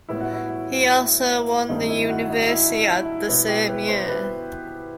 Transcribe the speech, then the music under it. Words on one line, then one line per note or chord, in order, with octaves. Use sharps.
He also won the Universiade the same year.
A2 G3 B3 E4
F#4
E4
G2 D#3 A3 C4 D#4
E4
F#4
D#4
E4
E4
B2 G3 B3 E4
G4
B4
C5
B4